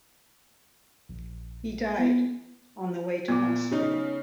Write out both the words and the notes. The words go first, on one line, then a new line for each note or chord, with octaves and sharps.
He died on the way to hospital.
A#1
B3
A#2 B3 F4
C#3 D#4